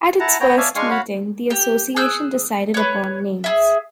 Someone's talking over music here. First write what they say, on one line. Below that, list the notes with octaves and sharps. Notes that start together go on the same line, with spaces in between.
At its first meeting, the Association decided upon names.
E4 F#5 A5 A#5
B3 C#5 G5 A#5
C#5 D5 E5 F5 G#5 A5
G#3 D4 F5 G#5 C6 C#6
F#4 C#5 F5 F#5 B5
G4
G#4 E6 F#6 G6
B4 C#5
G#4 E5